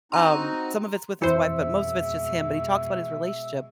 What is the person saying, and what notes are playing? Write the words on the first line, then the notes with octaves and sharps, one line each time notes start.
um, some of it's with his wife, but most of it's just him, but he talks about his relationship.
C4 D#4 F#4 A#5 C6
F2 B2 E3 G#3 C5 E5 C#7